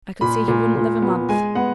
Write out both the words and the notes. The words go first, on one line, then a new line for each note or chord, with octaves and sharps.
I could see he wouldn't live a month.
A#2 B5
A#2
A#2
B3
G#3 G#5
B3 F#5